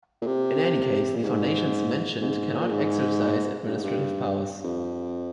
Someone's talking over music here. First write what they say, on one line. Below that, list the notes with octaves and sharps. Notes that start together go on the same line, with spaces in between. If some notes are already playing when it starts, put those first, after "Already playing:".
In any case, the foundations mentioned cannot exercise administrative powers.
A#2
C3
A#2
G#2
G#2
A#2
G#2
G2
G#2
G2
F2